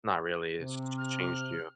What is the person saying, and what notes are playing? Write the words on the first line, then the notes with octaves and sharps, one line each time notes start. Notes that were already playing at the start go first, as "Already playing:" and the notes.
not really, it's ch changed you?
C3
F6